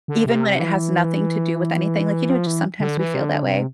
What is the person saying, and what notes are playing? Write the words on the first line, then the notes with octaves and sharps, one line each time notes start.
even when it has nothing to do with anything, like, you know, just sometimes we feel that way?
D3
C3
E3
F3
E3
D3
E3
C3
D3
C3